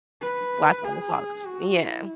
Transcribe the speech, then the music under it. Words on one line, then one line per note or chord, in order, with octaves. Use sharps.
last time we talked. Yeah.
B4
G#4
F#4
E4